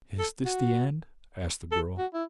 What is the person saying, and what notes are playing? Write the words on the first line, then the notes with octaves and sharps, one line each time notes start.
"Is this the end?" asked the girl.
A4
F#4
A4
F#4
E4